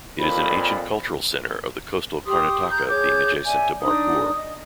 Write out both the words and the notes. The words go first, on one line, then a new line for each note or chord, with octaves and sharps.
It is an ancient cultural centre of the Coastal Karnataka being adjacent to Barkur.
F2 A#2 B5
G4 C6 D#6
A#5 F#6 G6
G#4 C#5 D6 G6
D5 E5 G#5
D4 D#4 D5 D#6
D#5